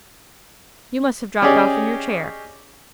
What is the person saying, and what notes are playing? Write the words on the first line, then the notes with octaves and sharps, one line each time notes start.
You must have dropped off in your chair.'
C#4 G4 G#4 D5 D#5